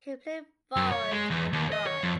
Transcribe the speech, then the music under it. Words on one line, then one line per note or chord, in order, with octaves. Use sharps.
He played forward and guard.
F#2
C#5
G#3
E2
D#2
D#5
C#5
F2